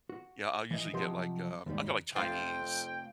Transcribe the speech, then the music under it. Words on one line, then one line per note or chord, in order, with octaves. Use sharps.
Yeah, I'll usually get, like, um I'll get, like, Chinese
F#4
E3 D#5
C3 F3 F#3 G4 D#5 C6
D#2 G#2 G3
F2 C3 A3 F4 F5 G5